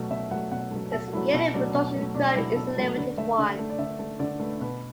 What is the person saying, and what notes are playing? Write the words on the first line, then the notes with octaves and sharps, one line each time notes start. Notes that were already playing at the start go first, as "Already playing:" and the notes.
Its yearly production run is a limited one.
Already playing: B2 F#3 A3
B2 E5
F#3 A3 F#5
B2 F#5
F#3 A3
B2 A4
F#4
F#3 A3 E4
B2 E4
F#3 A3 D4
B2
F#3 A3
B2 D4
F#3 A3 E4
B2 A4
F#3 A3
D3 B4
A3 E5
D3
A3
D5
D3 E5
A3
D3 D5
A3 B4
B2 B4